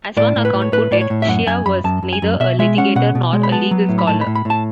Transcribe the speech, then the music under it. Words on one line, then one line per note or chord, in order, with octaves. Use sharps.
As one account put it: Shea was neither a litigator nor a legal scholar.
A2 D5
A2
B4
A2
C#5
A2 B4
A2 D5
C#5
A2
E5
F#2 F#5
F#2 G#5
F#2 B5
F#2 A5
F#2
G#5
F#2
B2 E5
G#3 E5
C#4 F#5
B2 F#5
B2
G#3
B5
B3 A5
F#3
A2
B5
A2 A5
B5
A2
B5
A2 A5